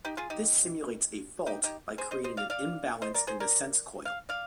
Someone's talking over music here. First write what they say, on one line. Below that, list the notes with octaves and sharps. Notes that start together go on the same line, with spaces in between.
This simulates a fault by creating an imbalance in the sense coil.
D#4 G4
F4 G#4
D#4 G4
D#4 G4
D#4 G4
G#4 C5
C5 D#5
C5 D#5
D5 F5
D5 F5
C5 D#5
A#4 D5
G#4 C5
A#4 D5
F5
D5 F5